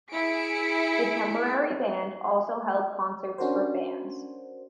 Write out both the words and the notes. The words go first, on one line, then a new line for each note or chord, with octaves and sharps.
The temporary band also held concerts for fans.
E4 G#4 B6 C#7 D7
C#4 D4 F#4 A#4 C5